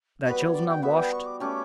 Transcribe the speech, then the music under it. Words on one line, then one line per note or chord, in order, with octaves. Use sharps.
Their children unwashed.
G3 B3 F#4 B4
C#5
D5
G5
G3 B3 F#4 E5
G5
C#6
D6
A3 C#4 G4 D6